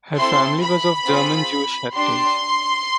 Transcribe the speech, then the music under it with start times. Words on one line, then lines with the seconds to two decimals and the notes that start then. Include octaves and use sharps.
Her family was of German Jewish heritage.
0.16 C4 E4 A4 C6
0.61 B5
1.05 C4 F4 G#4
1.94 D4 G4 C6